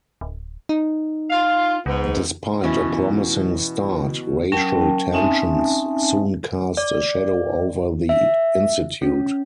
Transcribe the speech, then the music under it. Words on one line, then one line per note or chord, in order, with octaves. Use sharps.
Despite a promising start, racial tensions soon cast a shadow over the Institute.
D1
D#4
F4 F5
C#2 G#2 B3
B2 E3 C#4
F#3 C#4 A#4 G5 A5
C4 C#4 D#4 E5 G#5 A5
D5
E5
C#4